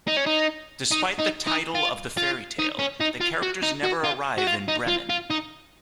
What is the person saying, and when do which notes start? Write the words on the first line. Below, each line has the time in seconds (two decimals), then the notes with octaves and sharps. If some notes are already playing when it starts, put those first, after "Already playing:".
Despite the title of the fairy tale, the characters never arrive in Bremen.
0.07 D#4
0.17 C#4
0.26 D#4
0.91 D#4
1.19 D#4
1.47 D#4
1.75 F4
2.17 F4
2.59 D#4
2.79 C#4
3.01 D#4
3.21 F4
3.43 F#4
3.63 D#4
3.84 F#4
4.04 F4
4.38 F#4
4.47 F4
4.68 D#4
4.88 F4
5.09 F4
5.30 D#4